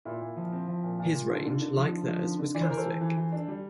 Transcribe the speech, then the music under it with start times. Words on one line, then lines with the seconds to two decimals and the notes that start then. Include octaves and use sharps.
His range, like theirs, was Catholic.
0.05 A#2 E4
0.21 A#2
0.37 F3
0.52 C4
0.68 F3
0.83 A#2
0.99 A#2
1.15 A#2
1.29 D3 F4 A4
1.46 D3
1.61 D3
1.77 F3
1.92 D3
2.07 F3
2.23 D3
2.39 D3
2.55 E3 D5
2.62 C5
2.70 E3 A#4
2.77 A4 C5
2.85 E3
3.01 E3
3.17 E3
3.32 D4
3.48 G3